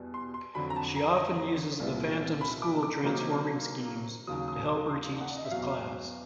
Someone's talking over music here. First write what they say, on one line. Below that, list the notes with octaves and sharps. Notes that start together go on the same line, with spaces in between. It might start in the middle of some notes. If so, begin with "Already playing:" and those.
She often uses The Phantom's school transforming schemes to help her teach the class.
Already playing: E2 B2 G3 B3
C6
C6
F2 D3 F#3 B5
A#5
A5
A#5
C2 A#2 G3 B3 E4
B5
D6
D6
C3 D#3 F#3 A#3 D#4
D#2 C#3 F#3 D#6
D#6
D6
C6
F#5
D5
D#5
E5
E2 B2 F#3 F5